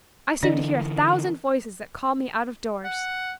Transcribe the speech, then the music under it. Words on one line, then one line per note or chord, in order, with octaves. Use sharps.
I seem to hear a thousand voices that call me out-of-doors.
D3 E3 D4 D5 D#5
F#5